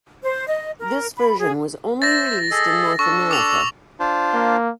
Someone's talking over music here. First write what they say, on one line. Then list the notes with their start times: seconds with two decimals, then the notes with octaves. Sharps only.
This version was only released in North America.
0.23 C5
0.48 D#5
0.79 A#4
1.16 B5
1.38 G#4
2.02 C5 E5 A6 A#6
2.51 G#4 A4 D#5
2.99 D4 A4 C#6
3.31 D6 E6 F7
4.00 D4 F4 C5
4.34 A#3